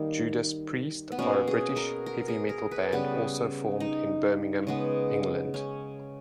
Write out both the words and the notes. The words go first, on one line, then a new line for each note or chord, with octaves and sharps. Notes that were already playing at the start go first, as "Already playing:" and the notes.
Judas Priest are a British heavy metal band also formed in Birmingham, England.
Already playing: D#3 G3 A#3
B3
B2 A#3 C#4
G#4
A#4
A#4
G#4
A#4
B4
C#3 G3 B3 B4
D#4
C#3 G#3 B3
C#4